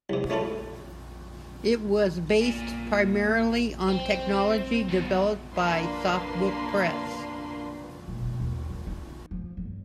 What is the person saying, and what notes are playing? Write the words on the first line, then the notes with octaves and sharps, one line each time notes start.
It was "based primarily on technology developed by SoftBook Press".
C2 C3
A3 C#4 E4 F4 A4
A#2
C4
G2 B2
A#3 D4 B4 C6
A#2
B2
D#2
D#2
D#4
F3
G1